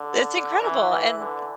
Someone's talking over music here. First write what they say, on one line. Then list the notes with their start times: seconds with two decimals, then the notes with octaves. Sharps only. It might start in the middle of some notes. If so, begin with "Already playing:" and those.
it's incredible, and
Already playing: D3
0.62 E3
0.91 E3
1.19 D3